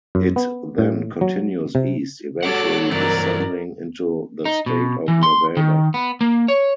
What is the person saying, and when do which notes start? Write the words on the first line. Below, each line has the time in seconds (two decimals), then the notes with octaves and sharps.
It then continues east, eventually descending into the state of Nevada.
0.15 F#2
0.36 B3
0.78 A2
1.21 F#3
1.75 C3
2.43 F#4 G4 A4 C#5 F#5 D6
2.90 G2 E3 F#3 C4 A#4 D5
4.45 D#4
4.66 B2
5.08 E3
5.23 C6
5.57 D#3
5.94 B3
6.21 A#3
6.48 C#5